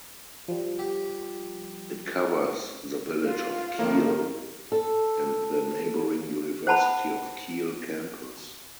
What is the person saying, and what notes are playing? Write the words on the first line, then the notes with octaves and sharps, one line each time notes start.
It covers the village of Keele and the neighbouring University of Keele campus.
F3 G3
G4
F4 F5
A2 D#3 A#3
A4
C5 F#5 A5 B5